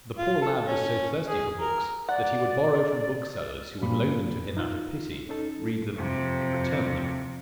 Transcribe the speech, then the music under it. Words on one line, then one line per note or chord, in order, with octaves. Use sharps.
The poor lad was so thirsty for books that he would borrow from booksellers who would loan them to him out of pity, read them and return them.
F4
A4
C#4
G#4
A#4
D5 F#5
G2 A#2 F3 B5
D#4 F4
C#4 D#4 A4
F2 C3